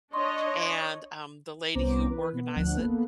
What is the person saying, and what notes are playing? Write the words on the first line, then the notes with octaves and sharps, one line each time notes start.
and, um, the lady who organized it
D4 C#5 D#5 C6 C#6
C2 B3 C#4 C5 A#5 D6
E3 B4
B2 B3
G1 D2 F3 D4 F#5 F#6
A#3 B3 A4 B4